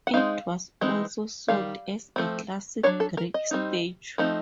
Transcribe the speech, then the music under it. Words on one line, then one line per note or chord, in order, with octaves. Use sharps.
It was also sold as a classic Greek statue.
F#5
G#3 C4 D#4 F5
E3 G#3 C4 D#4
D#3 G3 F5
F3 A3 C4
F#3 A#3 D4 C#5
A4
A#4
D#5
G3 C4 D#4
F3 A3 C4 D#4